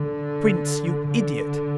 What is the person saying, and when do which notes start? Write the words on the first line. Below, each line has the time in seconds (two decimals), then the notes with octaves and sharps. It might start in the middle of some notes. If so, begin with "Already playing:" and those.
"Prince, you idiot!"
Already playing: D3
1.10 D3